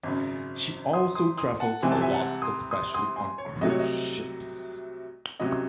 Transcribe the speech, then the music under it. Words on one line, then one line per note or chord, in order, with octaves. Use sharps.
She also traveled "a lot, especially on cruise ships".
G#1 F#2 C#3
C6 D#6
C6 D#6
C6 D#6
F#5 A5
C2 C3 E3 G#3 C4 G#5
A5
E5 G#5
F#5 A5
C6 D#6
C6 D#6
C6 D#6
G#5 C6
C#5
C2 C3 F#3 A3 D#5
C#5
D#5
C2 C3 F#3 C#4 D#5